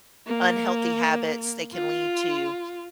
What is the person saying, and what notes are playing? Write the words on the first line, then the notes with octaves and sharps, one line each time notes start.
unhealthy habits, they can lead to,
A#3
F4